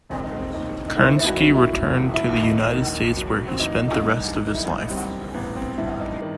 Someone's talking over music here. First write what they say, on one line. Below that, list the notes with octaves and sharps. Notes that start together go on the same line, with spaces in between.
Kerensky returned to the United States, where he spent the rest of his life.
E1 C4
D#4
C4
D#2 D#4
D#4
D#3 E4
E4
F#4
F#3
E4
E1 F#4
E4
D#2
D#4
D#3
F#3
C4
A1 D#4
D#4
G2
D#3 D#4
E4
D#4
G3 C4
A1 B3
C4
G2 E4
D#4
D#3